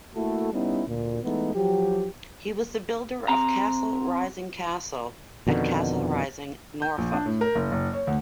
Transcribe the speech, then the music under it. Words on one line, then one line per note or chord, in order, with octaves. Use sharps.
He was the builder of Castle Rising Castle at Castle Rising, Norfolk.
A3 A#3 E4 F#4 A4
G3 B3 C#4 D#4 E4
D2 A#2
E3 G#3 A3 B3 D#4
F3 F#3 G4
C4 A#5
F2 B2 D3 D#3
G6
A#1
D4
A2
A#4
F#1
F#1
C#5
D2